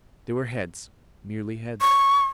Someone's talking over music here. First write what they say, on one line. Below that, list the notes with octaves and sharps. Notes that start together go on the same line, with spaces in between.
They were heads--merely heads.
C#6